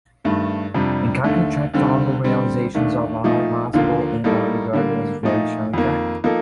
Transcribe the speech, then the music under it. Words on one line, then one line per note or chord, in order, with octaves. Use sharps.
In Cockney, triphthongal realizations of are possible, and are regarded as "very strongly Cockney".
G2 D#3 A3
F2 C3 G3 D4
D#2 D3 A3
D#2 D3 G3 C4
D3 G3 C4
D#2 D#3 A3 D4
A#2 F3 A3 D#4
D#2 D3 F3 A#3 F4
A2 G3 A#3 D#4 A4
D3 G3 A#3
A#2 F3 A3 D#4
F2 D#3 A#3
F3 A#3 D#4 A4